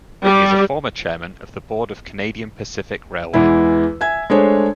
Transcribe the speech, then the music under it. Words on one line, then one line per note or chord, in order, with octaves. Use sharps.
He is a former Chairman of the Board of Canadian Pacific Railway.
G3
E2 E3 G#3 E4
E5 G#5 G#6
G#3 A3 D4 G#4 C5 C#5